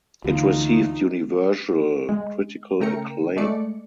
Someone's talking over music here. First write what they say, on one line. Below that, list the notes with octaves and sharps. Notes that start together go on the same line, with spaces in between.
It received universal critical acclaim.
D2 E3 D#4 F4 F#4
G#3
C#3 A3 A#4 G5 A#5 C#7
G#3 A3 D5 C#7